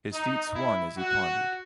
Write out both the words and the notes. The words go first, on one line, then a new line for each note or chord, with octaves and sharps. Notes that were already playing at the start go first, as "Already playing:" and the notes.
His feet swung as he pondered.
D#4
E4
F#4